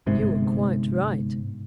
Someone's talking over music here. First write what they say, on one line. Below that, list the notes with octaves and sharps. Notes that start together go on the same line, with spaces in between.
'You are quite right.
G1 G#2 C3